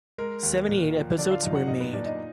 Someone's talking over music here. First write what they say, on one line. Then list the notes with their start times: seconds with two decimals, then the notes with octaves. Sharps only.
Seventy-eight episodes were made.
0.18 G#3 A#4
0.43 D#2
0.69 A#2
0.93 F3
1.18 D3 D4 D5
1.31 F4 F5
1.42 F#2 D#4 D#5
1.55 F#4 F#5
1.68 A#2 D#4 D#5
1.80 B3 B4
1.93 A#2 D4 D5
2.05 D#4 D#5